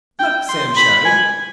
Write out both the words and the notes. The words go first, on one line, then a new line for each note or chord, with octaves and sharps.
"Look!" Sam shouted.
G5
C6
B5
G#5